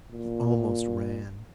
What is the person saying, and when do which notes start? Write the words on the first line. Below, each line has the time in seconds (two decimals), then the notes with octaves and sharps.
He almost ran.
0.12 A#2